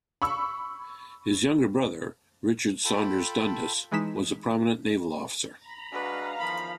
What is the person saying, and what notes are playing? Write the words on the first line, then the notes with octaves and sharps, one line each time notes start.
His younger brother, Richard Saunders Dundas, was a prominent naval officer.
B5 C#6 E6
F4 A4 G5 A5 B5
E3 G#3 D#4 B6 E7
A#5 B5
G#3 D4 F#4 B4 F5 A#5
E2 D#3 F3 B5